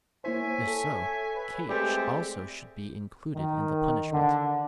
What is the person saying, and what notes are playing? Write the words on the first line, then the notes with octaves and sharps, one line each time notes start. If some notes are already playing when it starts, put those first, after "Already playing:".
If so, Kate also should be included in the punishment.
A#3 E4 C5 C#5 E5 G#5
A4
B4
G#3 A3 C4 G4 D5
D#3
D3